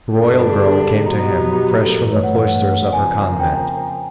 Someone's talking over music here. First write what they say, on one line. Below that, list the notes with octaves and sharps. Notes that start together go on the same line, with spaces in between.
The royal girl came to him fresh from the cloisters of her convent.
G2 D3 G3 B3 D4 A4
A#4
A4
G#4
G4
B2 F#3 B3 D#4 F#4
G4
F#4
G4
A4
A#4
G2 E3 A3 B4
C#5
F#5
F5
F#5
F2 C#3 F3 A#3 G#5
G5